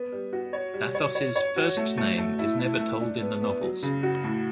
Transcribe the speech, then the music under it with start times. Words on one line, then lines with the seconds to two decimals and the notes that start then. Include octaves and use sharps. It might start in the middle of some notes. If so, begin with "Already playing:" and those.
Athos's first name is never told in the novels.
Already playing: B3
0.12 G3
0.33 F#4
0.53 C#5
0.74 G3
0.95 C#5
1.15 C#5
1.36 C#5
1.56 F#4
1.77 A3
1.97 A3
2.18 A3
2.39 E4
2.59 E4
2.79 A3
3.00 D4
3.21 B3
3.42 B3
3.62 F#3
3.83 C#3
4.03 F#4
4.24 A2